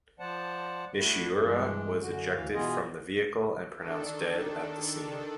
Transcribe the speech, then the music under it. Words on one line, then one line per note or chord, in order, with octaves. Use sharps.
Nishiura was ejected from the vehicle and pronounced dead at the scene.
F3 C5 D5 F#5 A5
A3 D4 E4 F#4
G2 E3 G#3 D4
F#2 D3 F#4
D2 E3 F5
B2 E3 B3 F4 G#4 D#5
D#3 D4 A4